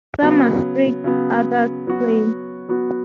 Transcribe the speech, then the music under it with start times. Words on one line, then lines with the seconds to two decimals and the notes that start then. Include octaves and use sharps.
Some are streaked, others plain.
0.22 C#3 F#3 B3
1.04 C#3 F#3 B3
1.87 F#3 B3 F#4
2.69 F#3 B3 F#4